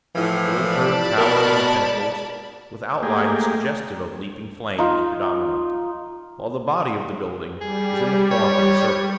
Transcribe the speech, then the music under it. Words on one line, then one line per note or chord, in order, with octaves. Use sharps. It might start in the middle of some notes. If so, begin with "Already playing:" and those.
Little curved towers and pinnacles, with outlines suggestive of leaping flames, predominate; while the body of the building is in the form of a circle.
A2 E3 F3
D5 A5 B5
B2 G#3 A#4
A3 A#3 G4 G#4
D#4 F4
G3 G#4
C#5